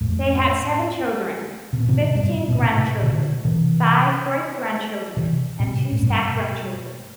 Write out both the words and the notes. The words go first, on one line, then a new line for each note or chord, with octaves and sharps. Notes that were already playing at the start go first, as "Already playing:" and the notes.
They had seven children, fifteen grandchildren, five great-grandchildren, and two step-grandchildren.
F2 A2
C3
B2
A2 C3
G2 B2
B2
A2 C3
B2 D3
C3 E3
C3 E3
A2 C3
A2
G2 B2